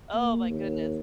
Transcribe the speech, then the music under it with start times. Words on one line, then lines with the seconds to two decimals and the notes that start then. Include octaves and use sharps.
Oh my goodness
0.14 A#3
0.49 D#2